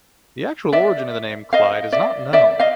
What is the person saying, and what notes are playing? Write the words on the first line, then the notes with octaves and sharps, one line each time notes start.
The actual origin of the name "Clyde" is not known.
D5 E5
D#5 F5
D5 E5
D5 E5
D#5 F5